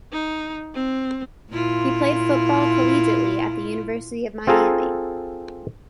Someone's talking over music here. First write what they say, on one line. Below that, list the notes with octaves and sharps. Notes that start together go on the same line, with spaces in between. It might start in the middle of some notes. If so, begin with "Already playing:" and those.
He played football collegiately at the University of Miami.
D#4
C4
A#2 E4 F4
C4 F4 G#4 A4 A#5